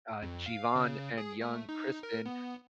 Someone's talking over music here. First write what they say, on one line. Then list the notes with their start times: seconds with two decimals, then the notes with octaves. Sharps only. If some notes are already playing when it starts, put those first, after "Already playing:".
uh, Jeevan, and young Kristen
0.22 F2
0.46 F5
0.76 C#3
1.18 G#4
1.41 A3
1.69 D#4
2.03 A#4
2.26 B3